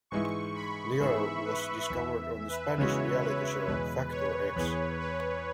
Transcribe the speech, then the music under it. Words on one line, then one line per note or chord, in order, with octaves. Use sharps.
Leire was discovered on the Spanish reality show "Factor X".
G#2 E3 G#3 E4 C#6
B5
G#2 E3 B3 G#4 E5
B4
E2 E3 B3 E5
B4
C#3 E3 G#3 B3 F#4 C#5
B4
E2 B2 G#3 B3 B4
C#5
E2 E3 B3 G#4 B4
B4